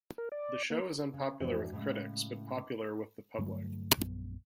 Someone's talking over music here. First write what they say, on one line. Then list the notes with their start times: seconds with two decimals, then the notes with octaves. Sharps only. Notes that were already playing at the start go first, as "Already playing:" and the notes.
The show is unpopular with critics but popular with the public.
0.18 A#4
0.32 D5
0.70 A#3
1.13 C#3
1.40 F2 G#2 E3 D4 F#4 C5
1.72 A2 C#3 G#3
3.38 G2 D3 F#3 A3
3.97 A#1 F#2 B3